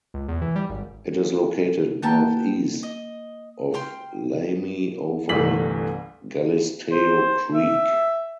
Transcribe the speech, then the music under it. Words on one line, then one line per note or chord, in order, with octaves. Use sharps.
It is located northeast of Lamy over Galisteo Creek.
C#2
E2
E3
G3
G#1
A#3 B3 G5 A5 A#5
D#5
G5 C6 F6
G1 C2 E3 A3 B6 F#7
C5
E5